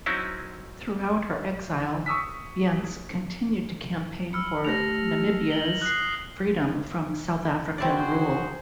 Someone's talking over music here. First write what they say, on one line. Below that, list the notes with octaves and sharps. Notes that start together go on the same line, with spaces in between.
Throughout her exile, Bience continued to campaign for Namibia's freedom from South African rule.
F#3 C4 C#4 D#4 E4
C#6 D#6 E6 B6
B5 E6 F6 C#7
A3 G4 A#6 F7
F#7 G7
D#6 F#6 C7
C4 E4 F#4 G#4 C5 D5